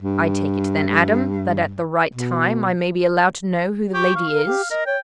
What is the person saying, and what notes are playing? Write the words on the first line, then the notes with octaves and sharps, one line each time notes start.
"I take it then, Adam, that at the right time I may be allowed to know who the lady is?"
G2
B2
G4 C#6
F5
A#4
G4
A#4 D#5
C#5 G5